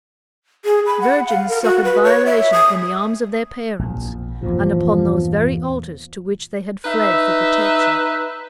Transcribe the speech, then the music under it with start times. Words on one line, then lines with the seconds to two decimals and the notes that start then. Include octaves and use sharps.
Virgins suffered violation in the arms of their parents, and upon those very altars to which they had fled for protection.
0.65 G#4
0.86 B5
1.01 F#5
1.28 F5
1.49 A#4
1.63 F#4
1.84 B4
2.04 C#5
2.26 E5
2.52 D#6
3.79 A#1 F2
4.43 E2 G2 A#2 F3
6.85 D#4 B4 E5